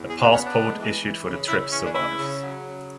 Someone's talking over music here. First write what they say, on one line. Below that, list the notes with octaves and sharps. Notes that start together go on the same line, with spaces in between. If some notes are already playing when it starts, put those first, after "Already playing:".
A passport issued for the trip survives.
Already playing: E2
B3 G#4
F#4
B3 C#4
D4
G#3
E3
E3
C#3
C#3 E4
E3 C#4
D4
C#3 E4
C#3
F#3
C#3